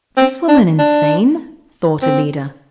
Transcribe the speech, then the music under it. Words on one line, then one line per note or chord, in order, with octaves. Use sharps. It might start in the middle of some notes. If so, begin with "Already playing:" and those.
"Is this woman insane?" thought Alida.
C4
D4
D4
C4